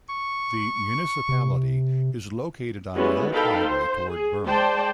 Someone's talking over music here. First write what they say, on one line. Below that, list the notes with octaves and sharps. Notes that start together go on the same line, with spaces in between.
The municipality is located on the old highway toward Bern.
C#6
C3
G3 G#3 B3 C#4 E4 F#4
D#4 A4 A#4 F5 G5 B5
C5
G#4
G#3 C5 D5 G5 A5